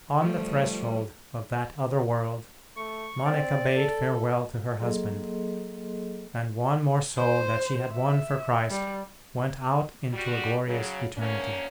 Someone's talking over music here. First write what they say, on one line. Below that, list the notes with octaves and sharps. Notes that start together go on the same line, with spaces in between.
On the threshold of that other world Monica bade farewell to her husband, and one more soul that she had won for Christ went out into a glorious eternity.
F3 G3 A3
A3 C#6
C4 D5
A4
F#3 A#3 G#4 A4 D#5 C6
C5
E5
G3
G3 F#4
C#3 F#3
D2 A#3 C#4